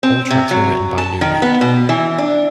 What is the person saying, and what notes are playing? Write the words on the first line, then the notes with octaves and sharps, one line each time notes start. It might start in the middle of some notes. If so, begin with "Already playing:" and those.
All tracks were written by Lou Reed.
C4
C3
F#3
A5
D#3
B3
B2
E3
D4